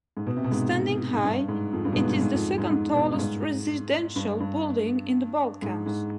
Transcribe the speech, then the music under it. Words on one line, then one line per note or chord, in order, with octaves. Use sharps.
Standing high, it is the second tallest residential building in the Balkans.
G#2
B2
C3
B2
G#2
G#2
G2
G#2
F2
G2
B2
G#2
G2
G#2
F2
G#2
G#2
B2
G2
G#2
G2
G2
G#2
G#2